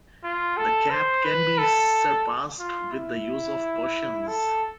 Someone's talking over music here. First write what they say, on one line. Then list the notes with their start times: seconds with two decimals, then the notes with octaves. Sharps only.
The cap can be surpassed with the use of potions.
0.24 F4
0.57 A4
0.90 C5
1.25 B4
1.58 A4
2.60 F4
2.92 E4
4.28 A4